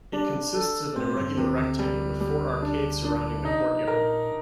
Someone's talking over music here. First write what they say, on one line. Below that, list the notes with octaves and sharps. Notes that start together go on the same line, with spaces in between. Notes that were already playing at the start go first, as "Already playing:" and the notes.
It consists of an irregular rectangle with four arcades surrounding the courtyard.
G3 D4 G4
A4
A2 A3 C4
G2 G3
D#2 C3 D#3
D2 D3
G3
G3
D4
D4
C3 D#4
A#2 A#4